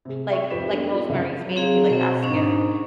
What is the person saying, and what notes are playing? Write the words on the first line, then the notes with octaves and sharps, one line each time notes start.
like like, Rosemary's Baby, like, that's scary,
C3 G#4
E5 G5 C#6
F2 G4 B4 B6 E7
B3 D4 A4
D#4 F4 A4
F#1 C#2 F#2 C3 C#4 E5
F#3
C4 G#4 F5
B2 C4 C5
G#2 C#4 D4